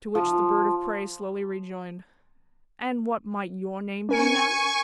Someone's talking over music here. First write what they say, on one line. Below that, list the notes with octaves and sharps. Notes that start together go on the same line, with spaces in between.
To which the bird of prey slowly rejoined, 'And what might YOUR name be, now?'
F3
C#4 A#4 G#5 C#6 C#7